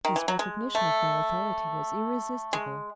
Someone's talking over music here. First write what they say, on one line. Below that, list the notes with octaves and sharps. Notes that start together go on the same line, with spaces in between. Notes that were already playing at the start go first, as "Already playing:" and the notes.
This recognition of my authority was irresistible.
D#3
E3
F#3
G#3
A3
G#3